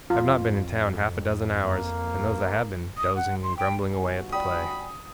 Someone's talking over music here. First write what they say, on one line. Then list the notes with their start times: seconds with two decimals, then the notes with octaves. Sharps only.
I have not been in town half-a-dozen hours, and those I have been dozing and grumbling away at the play.'
0.10 F2 F4
1.66 A#3
2.97 D#6
3.16 F#5
3.43 C6
3.57 G5
3.93 G1 F#4 G#5
4.33 D5 G5 B5 D#6